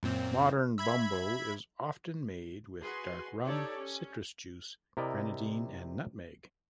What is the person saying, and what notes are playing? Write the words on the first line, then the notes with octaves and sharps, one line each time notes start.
Modern bumbo is often made with dark rum, citrus juice, Grenadine, and nutmeg.
F#2 A#2 C4
E5 B5 G#6
F#4 G#4 B4 C6
D#4 G4 A4 C#5 D5
C#4
C3 E4 A#4 D5 D#5